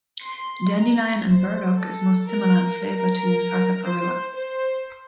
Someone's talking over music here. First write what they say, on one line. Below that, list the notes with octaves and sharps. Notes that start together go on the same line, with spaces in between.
Dandelion and burdock is most similar in flavour to sarsaparilla.
C6
A#5
C5
A4
A#4
A#4
C5
C5